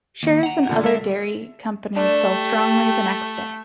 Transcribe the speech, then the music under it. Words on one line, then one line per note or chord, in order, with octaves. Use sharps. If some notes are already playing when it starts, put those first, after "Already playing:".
Shares in other dairy companies fell strongly the next day.
D#2
F#5 A#5
A#2 D3
G#3 A4 E5
A3 D4
G4